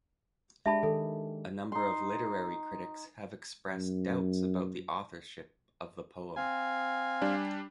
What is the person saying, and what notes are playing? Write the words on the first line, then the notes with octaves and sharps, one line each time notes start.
A number of literary critics have expressed doubts about the authorship of the poem.
G#3 D4 G4 E5 A5 B5
D#3 A4
D#4 C6
F#2
C4 F5 G#5
G3 D4